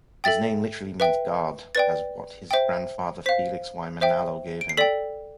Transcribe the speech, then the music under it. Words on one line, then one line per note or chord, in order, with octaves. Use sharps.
His name literally means "guard" as what his grandfather Felix Y. Manalo gave him.
A4 E5 G5 A6
B4 E5 G5
B4 D5 G5 A6
C5 E5 G5
C5 F5 B6
C5 E5 G5
D7
C7
A4 D5 G5 B6